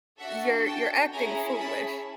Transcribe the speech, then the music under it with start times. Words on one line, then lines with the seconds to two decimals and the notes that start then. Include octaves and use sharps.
"You're you're acting foolish"
0.19 D4 F#4 A4 E5 F#5
0.66 G5 A5
1.12 C#4 E4 G#4 G#5 A#5
1.58 A5 B5